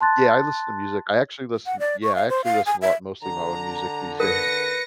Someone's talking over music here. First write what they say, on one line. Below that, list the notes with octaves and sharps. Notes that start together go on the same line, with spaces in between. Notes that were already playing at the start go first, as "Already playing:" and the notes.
Yeah, I listen to music, I actually listen yeah, I actually listen a lot mostly my own music these days,
A5 C6 F#6 A6
F#5
D5
C#6
F5
C5
F5
G#5
E5
D3 A#5
A#4 B4 A#6 C#7